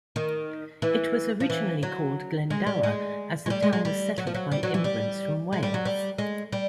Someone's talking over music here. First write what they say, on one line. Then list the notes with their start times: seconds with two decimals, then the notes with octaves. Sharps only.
It was originally called Glendower as the town was settled by immigrants from Wales.
0.16 D#3
0.82 E3
1.40 F3
1.50 E3
1.83 F#3
2.50 G#3
2.67 G3
2.83 G#3
3.46 G#3
3.50 G3
3.62 G#3
3.73 G#3
3.85 G3
4.18 F#3
4.27 F3
4.34 F#3
4.52 G3
4.63 F#3
4.74 E3
4.84 G3
5.53 G#3
5.63 G3
5.74 F#3
5.85 G3
6.18 G#3
6.52 G3